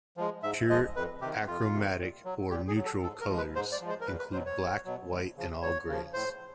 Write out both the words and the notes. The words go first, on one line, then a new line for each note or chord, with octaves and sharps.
Pure achromatic, or "neutral" colors include black, white and all grays.
F3 G#3
G#2 E5
F3 G#3 D#5
F2 B4
C3 D#3 G4
F2 F4
C3 D#3
A#2
F#3
A#2 G4
G#4
F#3
A4
G#2 A4
A#4
F3 G#3
B4
G#2 C5
D5
F3 G#3
C5
A#4
E2 B4
B4
B2 F#3 C5
C#5
E2
B2 F#3
D2
C#3 F3
D2 C#5
C#3 F3
A2 C5